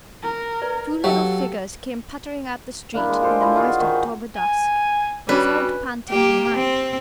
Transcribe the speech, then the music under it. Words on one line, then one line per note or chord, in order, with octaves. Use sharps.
Two little figures came pattering up the street in the moist October dusk, a third, panted behind.
A#4
B4 D5
F#3 G4 A4 F5 G5
A#3 D4 E4
G#3
F4 G4 A4 C5
E4 F4 G4 D#5
F4 F#4 G#4
D#3
G#5
G3 C#4 D4 F#4 B4
A#3 G4
C4